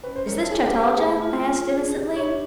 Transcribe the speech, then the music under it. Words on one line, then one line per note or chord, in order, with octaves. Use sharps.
'Is this Chataldja?' I asked innocently.
C#4 B4
C5
A#4 C#5
A4
D4 G#4
G4
C5
G4
A3 G#4
F4
F4
G#4
G4
D4 C#5